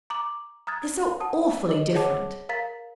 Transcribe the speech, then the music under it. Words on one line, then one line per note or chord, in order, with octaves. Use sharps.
They're so awfully different!'
A#5 D6 F#7
A#5 D#6 F6 F#6 G#6 A6
F#5 A5 D#6
D#5 F#7
G#4 C5 C#5 F#5 A5 D6
A#4 F5 A#5 A6 B6